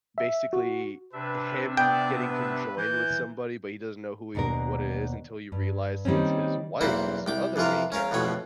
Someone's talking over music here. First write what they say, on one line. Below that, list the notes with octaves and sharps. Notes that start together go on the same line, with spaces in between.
basically, him getting conjoined with somebody, but he doesn't know who he what it is until he realized it's his wife who's the other main character.
E5
F#4
C3 D4 B4 E5
B3 D5 G5
B4
E3 G6
D#2 B2 A#3 D4 A#4
G2
D#3 G3 A#3 C4 C#4
B1 E2 A#3 C4 C5 B5
C2 G5 D6
F2 C3 E3 F4 A#4
C#4 A#4 F5
A1 F2 B2 C#5 B5